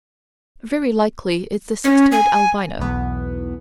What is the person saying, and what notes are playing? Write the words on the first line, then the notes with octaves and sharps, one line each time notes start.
Very likely it's the six-toed albino.
C#4
G#5
B1 E2 B3